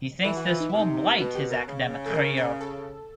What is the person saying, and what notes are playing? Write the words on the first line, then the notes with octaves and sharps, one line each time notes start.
He thinks this will blight his academic career.
E3 A4
F#4
F4
D#4
C3 E4
D#4
B2 F#4
G4
A#4
C#3
A4
A#4
A#4
A4